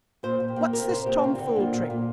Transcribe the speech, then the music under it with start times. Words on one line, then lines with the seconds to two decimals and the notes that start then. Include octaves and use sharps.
What's this tomfool trick?
0.23 A#2 C5
0.40 A#2
0.48 G4
0.56 A#3 A#4
0.73 C3 A#4
0.90 C3 C5
1.06 A#3 G4
1.23 D3 F4
1.35 D3 C4
1.48 D4
1.56 A#3 F4
1.73 A#2
1.90 A#2